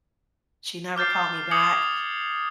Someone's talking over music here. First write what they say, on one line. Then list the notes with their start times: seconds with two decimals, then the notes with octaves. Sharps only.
She never called me back.
0.96 D6 F6 G6 A6 C7
1.51 D6 D#6 G6 G#6 C#7 F#7